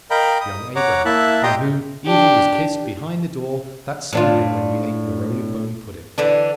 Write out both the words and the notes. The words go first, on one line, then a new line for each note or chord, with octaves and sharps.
It was young Abraham, by whom Eva was kissed behind the door that Sunday when we ate the roly-poly pudding.
A#4 D#5 F5 G5 A#5 B5
D#6
C#5 F#5 A#5 D6
A#3 E4 E5 A5 F#6
G4 D#5 G5 A#5 C6 D#6
D4 G4
A2 D4 F4
D3 E3 D4